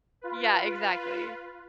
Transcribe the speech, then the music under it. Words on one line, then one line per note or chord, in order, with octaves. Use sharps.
Yeah, exactly.
F4 B4